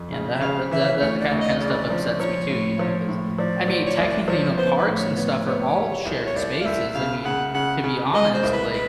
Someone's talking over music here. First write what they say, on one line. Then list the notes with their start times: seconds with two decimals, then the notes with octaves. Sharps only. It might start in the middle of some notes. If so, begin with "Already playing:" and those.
Yeah, that that that that ki kinda stuff upsets me too, you know, 'cause I mean, technically, you know, parks and stuff are all shared spaces, I mean, to be honest, like,
Already playing: F2
0.12 C#3
0.35 E5
0.41 C#3 F5
0.71 E3 E5
1.01 D2 C#5
1.21 D5
1.31 D2
1.40 D#5
1.61 C#3 D5
1.90 F3
2.20 F3 C#5
2.50 A2
2.79 F3
3.09 A2
3.38 F3 D5
3.68 F3
3.87 C#5
3.97 C2 D5
4.28 F3 C#5
4.57 B3 C5
4.77 B4
4.87 A2
4.97 C#5
5.17 B3 C#5
5.46 B3 C#5
5.76 G3
6.06 C2
6.27 C#5
6.36 C2 D5
6.61 F5
6.65 C2 E5
6.95 C#3 F5
7.25 C#3 F#5
7.54 C#3 F#5
7.84 C#3
8.14 G#3 D#5
8.34 C5
8.43 C2
8.53 B4
8.73 B4